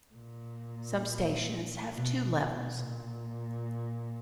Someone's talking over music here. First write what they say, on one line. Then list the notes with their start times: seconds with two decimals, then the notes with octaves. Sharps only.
Some stations have two levels.
0.14 A#2
1.92 B2
2.37 B2
2.82 A#2